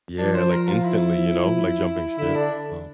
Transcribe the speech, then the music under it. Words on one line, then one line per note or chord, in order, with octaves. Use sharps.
Yeah, like, instantly, you know, like jumping ship, uh-huh,
F3 D4
C5
A#4
F4
E4
D3 E4
D4